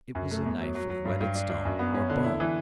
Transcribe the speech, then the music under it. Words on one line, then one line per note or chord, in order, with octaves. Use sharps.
It was a knife of whetted stone or bone.
F#2
A3
E2
F#3
F#3
F#3
G2
G2
D4
D4
F#2
B3
C#4
D3
E4
E3